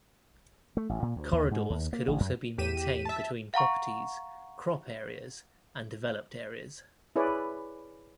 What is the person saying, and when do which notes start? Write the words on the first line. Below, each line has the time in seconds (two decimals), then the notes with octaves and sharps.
Corridors could also be maintained between properties, crop areas, and developed areas.
0.77 A3
0.89 A1
1.02 A#2
1.16 D2
1.32 D#2
1.51 G#2
1.70 D#2
1.93 A#3
2.07 A1
2.20 F#2
2.58 E2 G4 B6 D#7 E7
3.05 E5 A5
3.54 F5 F#5 A#5 C#6
7.16 E4 G#4 B4 C#5 D5